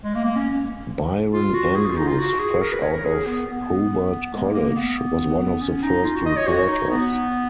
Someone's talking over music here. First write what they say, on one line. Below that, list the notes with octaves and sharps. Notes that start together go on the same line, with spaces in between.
Byron Andrews, fresh out of Hobart College, was one of the first reporters.
G#3
A#3
A#3
C#4
F4
F#4
G#4
F4
D#4
F4
F#4
G#4
A#4
B4
C#5
A#4
G#4
B3
B3
G#3
A#3
A#3
A#3
B3
C#4
D#4
F4
F#4
D#5
C#5
F#4
D#4
B3